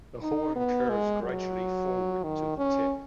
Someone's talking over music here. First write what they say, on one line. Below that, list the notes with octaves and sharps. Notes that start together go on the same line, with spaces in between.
The horn curves gradually forward to the tip.
D#4
B3
G#3
F#3
D#3
C#4